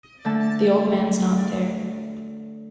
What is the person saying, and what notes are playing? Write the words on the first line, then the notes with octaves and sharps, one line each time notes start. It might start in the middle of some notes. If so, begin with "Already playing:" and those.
The old man's not there.
D3 A3 A5